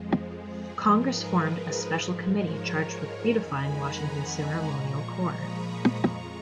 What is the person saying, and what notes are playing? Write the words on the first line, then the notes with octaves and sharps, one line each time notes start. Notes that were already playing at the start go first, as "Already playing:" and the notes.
Congress formed a special committee charged with beautifying Washington's ceremonial core.
Already playing: F2 F3 G#3
G#4
G#2 F3 G#3 A#4
G#4 B4
G#2 F3 G#3
A#4 C#5
F2 D#3 G#3 G#5 B5
F#5 A#5
G#5 B5
A#5 C#6
A#2 F3 G#3
B5 D#6
A#5 C#6
F2 F3 G#3